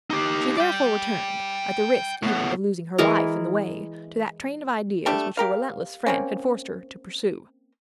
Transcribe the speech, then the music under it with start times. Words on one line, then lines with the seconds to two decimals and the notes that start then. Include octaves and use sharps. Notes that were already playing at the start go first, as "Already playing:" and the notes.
She therefore returned, at the risk even of losing her life in the way, to that train of ideas which her relentless friend had forced her to pursue.
0.10 D#4 G4
0.57 D5 G5
2.23 A2 B3
2.98 E3 G#3 G#4 A#4
5.06 G3 A3 D4 G4
5.37 G4 A#4 F5
6.06 A#3 C4 C#4